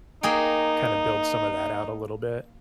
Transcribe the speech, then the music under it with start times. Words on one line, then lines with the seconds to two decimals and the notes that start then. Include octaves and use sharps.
kinda build some of that out a little bit.
0.23 A#3 D#4 G#4 G5